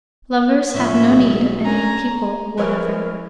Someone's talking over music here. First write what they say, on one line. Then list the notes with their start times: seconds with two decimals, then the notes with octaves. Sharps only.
Lovers have no need of any people whatever.
0.74 A2 F3 C#4 E5
1.10 B1 G#4
1.65 C#4 D4 A#4 G#5 A#5
2.58 F3 C#4 E4 G#4 A#4 B4 C#5